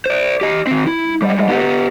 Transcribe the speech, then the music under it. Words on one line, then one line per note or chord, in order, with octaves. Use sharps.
Right on.
C5 D5
G4 D#5
D#3 C4
E4
G3 G#3
B3 G4